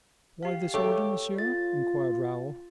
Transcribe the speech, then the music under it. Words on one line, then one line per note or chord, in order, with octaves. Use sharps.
"Why this order, monsieur?" inquired Raoul.
G4 F5
A3 G4 C#5
F4 A6